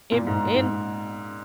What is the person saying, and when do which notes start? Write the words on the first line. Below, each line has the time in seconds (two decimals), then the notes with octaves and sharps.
In in
0.12 A#2
0.27 G#2
0.55 G#2